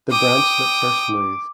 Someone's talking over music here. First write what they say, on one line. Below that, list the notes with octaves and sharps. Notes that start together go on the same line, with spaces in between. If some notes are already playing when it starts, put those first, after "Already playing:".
The branchlets are smooth.
G5 D6 D#6